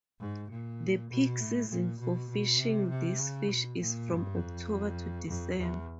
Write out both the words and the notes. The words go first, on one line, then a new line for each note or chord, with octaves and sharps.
The peak season for fishing this fish is from October to December.
G#2
A#2
B2
A2
A#2
B2
B2
C3
C3
C#3
B2
A#2
G2
F2
F2
E2